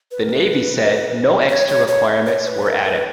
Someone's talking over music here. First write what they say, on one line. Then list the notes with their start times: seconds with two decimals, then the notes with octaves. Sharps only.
The Navy said no extra requirements were added.
0.11 B4
0.22 A#4
0.31 B4
1.49 C#5
1.68 C#5
1.88 C#5
2.27 C#5
2.47 B4
2.67 A#4
2.85 B4